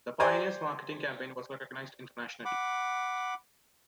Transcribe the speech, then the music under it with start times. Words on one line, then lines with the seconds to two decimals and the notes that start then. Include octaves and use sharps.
The Pioneers marketing campaign was recognized internationally.
0.20 G4 C5 D5 G#5 A#5
2.45 F#5 B5 D6